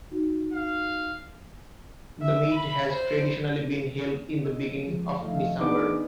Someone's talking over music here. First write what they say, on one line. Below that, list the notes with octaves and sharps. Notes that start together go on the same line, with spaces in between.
The meet has traditionally been held in the beginning of December.
D#4 F#4
F5
E5
B5
C5
D#5 E6
C#3 F3 G#3
F#2 D#3 F3 A3 D#5 F5
E3 B3 D4 D#4 G#4 D6